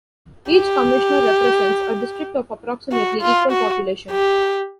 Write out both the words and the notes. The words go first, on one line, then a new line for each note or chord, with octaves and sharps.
Each commissioner represents a district of approximately equal population.
G4
F#4
F4
F#4
G4